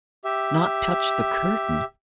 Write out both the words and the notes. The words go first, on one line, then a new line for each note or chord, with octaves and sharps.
Not touch the curtain!
G4 E5